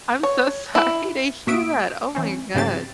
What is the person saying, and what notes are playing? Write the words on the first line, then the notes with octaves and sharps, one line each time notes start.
I'm so sorry to hear that, oh my god.
C#5
E4
A2 A#3 F#4 E5 D#6 D7
E3 C4 C#4
G#2 C#3 F#3 C4 G4 A6